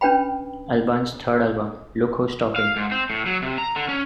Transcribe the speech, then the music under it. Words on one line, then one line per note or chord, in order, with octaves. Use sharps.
Alban's third album Look Who's Talking!
C#4 D4 B4 G5 B5
F5
G#2
C4
A2
F#3
C3
A#5
D3
C#4